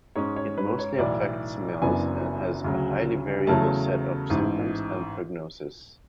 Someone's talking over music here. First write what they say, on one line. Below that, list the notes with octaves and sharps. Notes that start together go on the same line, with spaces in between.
It mostly affects males and has a highly variable set of symptoms and prognoses.
G#2 G#3 C#4 C#5
C#5
B4
C#5
B1 A2 E3 D5
F#1 F#2 E3 B3 D4 G#5
D2 C#3 F#3
E2 C#3 F#3 A3 A5
A1 G#2 E3